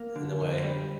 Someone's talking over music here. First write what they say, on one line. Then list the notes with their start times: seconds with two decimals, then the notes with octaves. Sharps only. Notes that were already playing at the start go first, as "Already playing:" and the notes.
in a way.
Already playing: A#3
0.16 D3
0.41 D3
0.64 G3